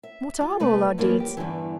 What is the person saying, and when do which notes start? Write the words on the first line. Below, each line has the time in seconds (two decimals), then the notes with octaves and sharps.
What are all our deeds?
0.03 E5
0.41 F4
0.60 C3 A3 B4
0.98 G2 E3 F3 A#3 C#4
1.20 G4
1.37 E2 G2 B2 D3 E3